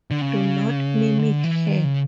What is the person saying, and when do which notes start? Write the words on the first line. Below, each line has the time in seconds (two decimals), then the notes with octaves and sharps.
Do not mimic her.
0.11 D3
0.21 C#3
1.19 D3
1.44 E3
1.68 D#3
1.84 C#3